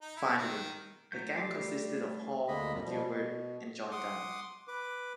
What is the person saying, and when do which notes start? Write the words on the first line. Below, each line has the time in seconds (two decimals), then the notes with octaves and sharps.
Finally the gang consisted of Hall, Gilbert and John Dunn.
0.02 D#4
0.17 E4
0.38 D#3
1.12 F#3 A3 G6
1.34 G3 A3 C6 D6
2.48 D2 D3 G#3 A#3 D#5 B5
2.73 F#2 A#2 G3 B3
2.84 B2 F3 G3
3.03 B2
3.91 F#5 C6 D6 D#6
4.68 B4 D6